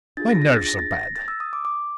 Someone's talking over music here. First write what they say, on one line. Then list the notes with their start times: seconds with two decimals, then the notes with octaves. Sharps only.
My nerves are bad.
0.17 D4 F4 G#4 A6
0.30 A#6
0.42 A#6
0.54 A6
0.66 A#6
0.79 A6
0.91 A#6
1.04 A#6
1.16 A6
1.28 E6
1.40 D#6
1.53 D6
1.65 D6